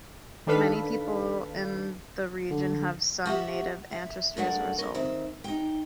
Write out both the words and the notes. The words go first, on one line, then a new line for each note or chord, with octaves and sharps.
Many people in the region have some native ancestry as a result.
D#3 D4 A4 B4 F5 B6
D3
F#4 G4 E5 F#5
E5
G2 A3 G#4 A#4 D5 F#5
C#4 A#4
D#3 C4 E5
D#4 G5